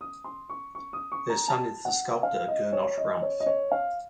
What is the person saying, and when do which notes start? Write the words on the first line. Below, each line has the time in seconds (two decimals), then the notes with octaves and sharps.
Their son is the sculptor Gernot Rumpf.
0.01 D#6
0.24 C6
0.50 C#6
0.75 C#6
0.93 D#6
1.12 C#6
1.30 A#5
1.48 A5
1.85 F#5
2.23 F5
2.48 D#5
2.73 C#5
2.98 D#5
3.22 C#5
3.40 D#5
3.46 C#5
3.72 F5